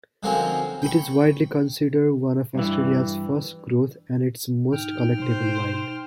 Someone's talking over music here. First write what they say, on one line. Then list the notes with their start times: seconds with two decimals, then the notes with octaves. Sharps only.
It is widely considered one of Australia's "first growth" and its most collectable wine.
0.23 D3 D#3 F3 F#3 C4 C#4
0.82 G5 B5 C#6
2.55 G2 E3
4.72 G#2 D#4 G5 F6
5.20 B2 C5